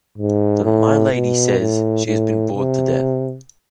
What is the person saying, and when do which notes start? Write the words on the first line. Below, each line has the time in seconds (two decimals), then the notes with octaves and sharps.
My Lady says she has been "bored to death."
0.18 G#2
0.65 A2
1.13 B2
1.59 A2
2.06 A2
2.53 C3